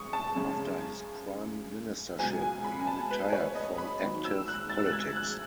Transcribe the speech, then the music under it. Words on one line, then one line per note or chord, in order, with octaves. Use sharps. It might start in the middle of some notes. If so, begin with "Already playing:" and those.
After his prime ministership, he retired from active politics.
Already playing: C#6 D#6
A5
F#2 C#3 G#3
C#2 B2 F#3 G#5
G#5
B5
G#5
A5
B4
C#5
D#5
B5
D#2 D#3 F#3
E6
F#6
A6
E6
F#6
G#6
F#6